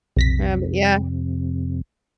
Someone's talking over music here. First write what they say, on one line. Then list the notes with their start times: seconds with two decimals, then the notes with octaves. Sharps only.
Habit, yeah.
0.16 B1 F2 C3 A#6 B6